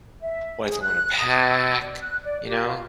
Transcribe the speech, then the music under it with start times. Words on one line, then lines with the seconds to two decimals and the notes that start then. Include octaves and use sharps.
What if they wanna pack, you know?
0.22 E5
0.67 G#4
0.82 F#6
1.19 D#6
1.45 E6
1.81 D5
2.02 F#6
2.23 D5
2.46 G4
2.67 F4